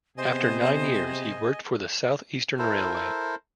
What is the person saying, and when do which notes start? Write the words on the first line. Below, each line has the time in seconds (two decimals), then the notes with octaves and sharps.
After nine years, he worked for the South Eastern Railway.
0.17 C3 B3 G#4 C5 D#5 G#5
2.59 E4 A4 A#4 C5